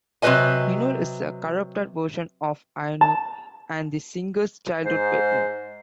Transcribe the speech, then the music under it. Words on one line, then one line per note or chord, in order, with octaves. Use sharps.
Inul is a corrupted version of Ainur, and the singer's childhood pet name.
C3 F#3 A4 B4 D#5 G#5
A5
G#2 C5